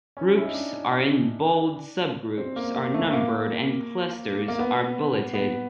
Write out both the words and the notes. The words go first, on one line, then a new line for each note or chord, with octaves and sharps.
Groups are in bold, subgroups are numbered, and clusters are bulleted.
C#4
E4
D#4
D4
C4
A#3
A#3
A3
A3
A#3
A#3
B3
B3